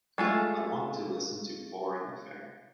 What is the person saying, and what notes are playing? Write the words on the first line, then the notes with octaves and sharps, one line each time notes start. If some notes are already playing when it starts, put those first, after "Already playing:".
I want to listen to Foreign Affair.
G#3 A3 F4